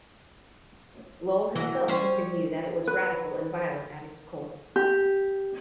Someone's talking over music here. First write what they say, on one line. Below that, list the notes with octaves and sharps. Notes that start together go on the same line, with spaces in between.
Lowell himself took the view that it was radical and violent at its core.
E3 F#3 D#5
G3 C#4 C5
B4
G4